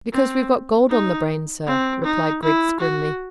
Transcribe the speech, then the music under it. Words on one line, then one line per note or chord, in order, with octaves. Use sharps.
"Because we've got gold on the brain, sir," replied Griggs grimly.
C4
D#4
C4
D#4
E4
F#4